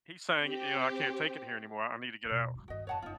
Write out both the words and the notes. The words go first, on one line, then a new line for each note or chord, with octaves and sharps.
he's saying, you know, "I can't take it here anymore. I I need to get out."
C4 G4
D#2 B2
G2 D#4
G2 D#3 F#4 D#5
F2 A2 C#5 F#5 A5
F#1 D#4 F4